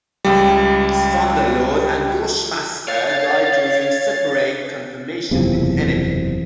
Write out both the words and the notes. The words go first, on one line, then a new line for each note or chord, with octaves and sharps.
Thunderlord and Bushmaster die during separate confrontations with enemy.
C#2 G3
C#5 F5 A6
F#1 E2 C3 F3